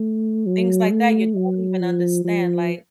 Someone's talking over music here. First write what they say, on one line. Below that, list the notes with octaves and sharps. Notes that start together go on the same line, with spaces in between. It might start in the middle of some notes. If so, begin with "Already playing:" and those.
Things like that, you don't even understand, like,
Already playing: A3
F#3
A3
F#3
F3
F3